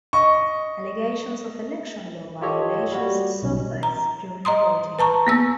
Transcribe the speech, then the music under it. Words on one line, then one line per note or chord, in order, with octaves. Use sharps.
Allegations of election law violations surfaced during the voting.
D#5 C#6
F4 G4 A4 C#5 D#5
G3 F#4
B1 B2
A#5
D#5 A#5 C6 D#6
B4 A5 A#5 C#6
A#3 B3 E6